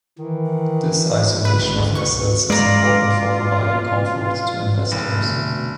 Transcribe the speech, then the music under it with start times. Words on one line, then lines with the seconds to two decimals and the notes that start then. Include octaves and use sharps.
This isolation of assets is important for providing comfort to investors.
0.19 D#3 E3
1.45 B4
1.62 A1
1.78 D2
1.95 C#6
2.50 G#3 F4 D5 A#5
4.92 F1
5.18 B2 D3 A3